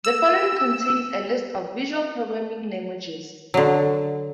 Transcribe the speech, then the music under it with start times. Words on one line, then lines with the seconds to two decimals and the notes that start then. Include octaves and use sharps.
The following contains a list of visual programming languages.
0.04 E6
3.54 D3 F#3